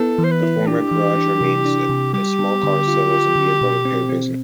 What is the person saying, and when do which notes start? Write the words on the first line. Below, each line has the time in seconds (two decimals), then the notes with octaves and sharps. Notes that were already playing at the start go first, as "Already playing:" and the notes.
The former garage remains as a small car sales and vehicle repair business.
Already playing: B3 E4 A4
0.18 E3
0.24 C5
0.31 B4
0.42 E4
0.67 D4 G4
0.91 E3
1.16 D4
1.41 C3
1.65 D4
1.89 C3
2.13 G3 G4
2.39 B3
2.63 D3
2.87 F4
3.11 F4
3.36 D3
3.61 B2
3.85 C4
4.09 C4